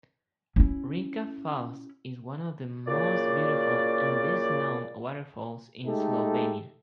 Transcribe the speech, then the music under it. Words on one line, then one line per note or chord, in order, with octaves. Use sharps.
Rinka Falls is one of the most beautiful and best-known waterfalls in Slovenia.
C#4 E4
A#2 C#3 A#3 F#4 D5
G#3 A3 D#4 G4 A4